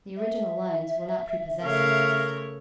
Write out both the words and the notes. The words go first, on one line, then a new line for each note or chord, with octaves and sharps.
The original lines were not prepossessing.
E5
C#3 A3 A#4 C#5 F5